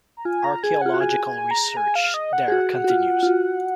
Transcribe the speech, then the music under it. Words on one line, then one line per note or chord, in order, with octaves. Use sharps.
Archaeological research there continues.
A#5
F4 G#5
A#5
G#4 G#5
F4 F#5
F#4
G#4 G#5
G#5
A#5
G#5
F5
D#5
F#5
G#4
F#4
F#4
F4
F4
F#4